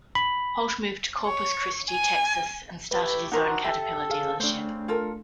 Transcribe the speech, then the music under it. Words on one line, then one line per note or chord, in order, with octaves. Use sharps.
Holt moved to Corpus Christi, Texas and started his own Caterpillar dealership.
B5
C#5
G#5
A3 E4 G4 B4 E5
C3 D4 D#4 F#4 A#4 F#5 A#5 C6
G4 A4 E5
G#4 F5
C#3 A3 C4 D4 C5
F4 A4 A#4